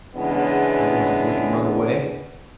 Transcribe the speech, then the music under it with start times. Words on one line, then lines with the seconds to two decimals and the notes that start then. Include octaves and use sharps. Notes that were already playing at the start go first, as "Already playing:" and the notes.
I wasn't going to run away.
0.15 E2 C#3 G#3 B3 D4